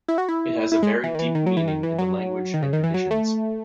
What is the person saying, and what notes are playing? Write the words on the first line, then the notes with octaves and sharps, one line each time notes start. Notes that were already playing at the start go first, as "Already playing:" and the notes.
It has a very deep meaning in the language and traditions.
E4
F#4
E4
E4
G#3
E3
D#3
E3
D#3
F#3
E3
D#3
E3
F#3
D#3
C#3
D#3
E3
F#3
A3